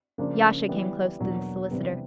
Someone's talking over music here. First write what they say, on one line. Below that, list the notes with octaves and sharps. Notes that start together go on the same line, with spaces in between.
Yasha came close to the solicitor.
C#3 F3 A#3 D4
E3 G3 B3
E2 B2 F#3 A#3 D4
C3 E3 G3 B3 D4